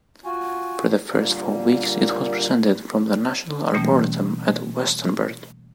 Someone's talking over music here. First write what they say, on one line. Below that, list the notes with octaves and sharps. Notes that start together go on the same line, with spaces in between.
For the first four weeks it was presented from the National Arboretum at Westonbirt.
F4 F#4 G#5
A#2 D3 G3 A#3
B2 E3 G3 A3 A#3 C#4